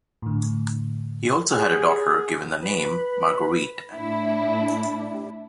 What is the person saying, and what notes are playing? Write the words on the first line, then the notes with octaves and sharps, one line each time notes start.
He also had a daughter, given the name Marguerite.
A2 D3
G4 G#4 F#5 G#5
B4
A2 D4 E4